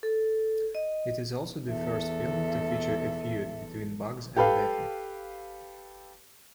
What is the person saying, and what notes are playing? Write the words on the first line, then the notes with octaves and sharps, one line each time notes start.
It is also the first film to feature a feud between Bugs and Daffy.
A4
D#5
E2 A4 E5
G4 A4 B4 F5